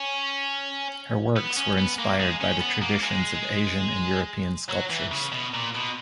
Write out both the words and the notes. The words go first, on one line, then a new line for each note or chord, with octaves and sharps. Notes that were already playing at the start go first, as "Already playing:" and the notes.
Her works were inspired by the traditions of Asian and European sculptures.
Already playing: C#4
B3
C#4
B3
A#3
G#3
C#4
B3
A#3
G#3
F#3
E3
C#3
B2
A#2
B2